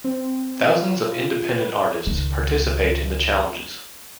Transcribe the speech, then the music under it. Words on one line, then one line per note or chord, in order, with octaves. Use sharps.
Thousands of independent artists participate in the challenges.
C4
F4
B4
C#2 D#3